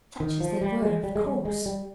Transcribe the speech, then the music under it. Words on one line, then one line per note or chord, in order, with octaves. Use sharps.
"Such as they were, of course."
D#3
F3
G3
G#3
G3
G#3
G3
G#3
G3